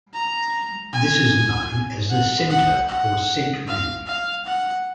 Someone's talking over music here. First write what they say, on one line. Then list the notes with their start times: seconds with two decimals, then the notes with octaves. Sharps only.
This is known as a centre or centring.
0.14 A#5
0.93 G#5
2.10 F#5
2.50 F#5
2.89 F#5
3.67 F5
4.07 F5
4.46 F#5